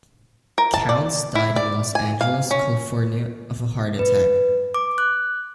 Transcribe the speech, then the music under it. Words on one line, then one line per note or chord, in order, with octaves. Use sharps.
Counce died in Los Angeles, California, of a heart attack.
A#4
A5
D5
E4
D5
G#5
F5
C#4
B4
D6
F#6